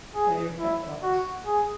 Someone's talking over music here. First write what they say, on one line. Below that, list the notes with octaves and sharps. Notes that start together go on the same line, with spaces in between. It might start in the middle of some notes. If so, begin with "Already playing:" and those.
Player pep talks.
G#4
E4
F#4
G#4